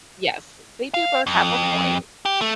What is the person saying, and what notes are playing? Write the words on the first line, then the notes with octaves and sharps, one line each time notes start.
Yes, they do both have a point.
F5
F2
G4
A3